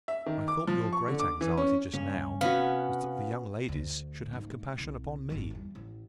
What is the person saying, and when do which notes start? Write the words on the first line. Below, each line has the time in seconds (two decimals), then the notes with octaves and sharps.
"I thought your great anxiety just now was that the young ladies should have compassion upon me."
0.08 E5
0.26 D#3
0.48 D6
0.67 F3
0.93 C#6
1.08 D3
1.20 D6
1.41 E3
1.57 C#4
1.93 G2 A#2 C#3 C#4
2.41 C3 B3 C#4 F#4 F5
3.69 D2
4.33 G#2 A#3
4.78 C2
5.30 G#1 F#2
5.51 E2 G3
5.75 A1